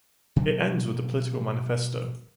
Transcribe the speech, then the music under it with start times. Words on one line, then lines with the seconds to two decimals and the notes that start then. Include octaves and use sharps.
It ends with a political manifesto.
0.36 B2 F#3 G3 A#3